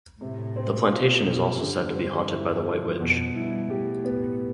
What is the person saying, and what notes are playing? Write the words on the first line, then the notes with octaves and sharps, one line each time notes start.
The plantation is also said to be haunted by the White Witch.
A2 C3
C4
B2 F4
B2 G3
G2 D3
C4
E4
F3
F2 B2
G2 E4
A2 G4
B3